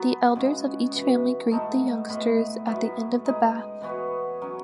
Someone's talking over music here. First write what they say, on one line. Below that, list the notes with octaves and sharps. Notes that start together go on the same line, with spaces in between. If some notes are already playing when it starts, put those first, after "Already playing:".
The elders of each family greet the youngsters at the end of the bath.
Already playing: F#3 B3 F#4
C#3 G#3 C#4
E3 B3 F#4
A2 G#3 D#4 A4
A2 G#3 B3
A2 F#3 B3 E4
G#3 D#4 G#4
E3 B3 F#4 C#5
F#3 C#4